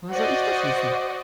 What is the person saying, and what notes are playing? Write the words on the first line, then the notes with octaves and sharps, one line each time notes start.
Woher soll ich das wissen?
F#4 C5 D5 D#5